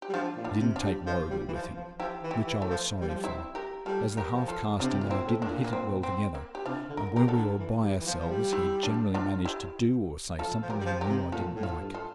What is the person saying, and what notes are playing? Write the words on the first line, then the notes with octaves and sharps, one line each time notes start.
He didn't take Warrigal with him, which I was sorry for, as the half-caste and I didn't hit it well together, and when we were by ourselves he generally managed to do or say something he knew I didn't like.
G4
G3
F3 D4 F4
A#2
D4 F4
C3
D4 F4
G3
F3
G3
E3
F3
F3
F3 E4 G4
E3
E4 G4
E3
A3
F3
G3
F3
G3
C4 E4
G4 A#4
G3 F4 A4
G4 A#4
F3
F4 A4
C3 D4 F4
C3 G4
A#2 F4
C4 E4
A2
A2 A#3 D4
A#2
A#3
C4
C4
A#3
G4
C3 D4 F4
D3
A#4
G4 A#4
F4 A4
D3
E3
G3
E3
F3
F3
G3
E4 G4
D4 F4
D4 F4
E4 G4
F3 F4 A4
F3
G4 A#4
G3
F3
G4 A#4
C3
A#2 F4 A4
A2
F4 A4
G2
F4 A4